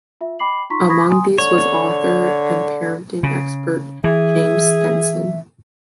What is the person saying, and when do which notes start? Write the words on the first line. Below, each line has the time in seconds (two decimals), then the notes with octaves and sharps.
Among these was author and parenting expert James Stenson.
0.21 F4 E5
0.39 D#5 G5 B5 D6 C7 F#7
0.70 D#4 F4 A#5 C6 C#6 B6
0.89 B5 C#6 D#6 G#6 A#6 B6
1.09 G5 G#5 A#5 C6 D#6
1.38 D3 C#5
3.23 C#3
4.04 E3 G#4 E5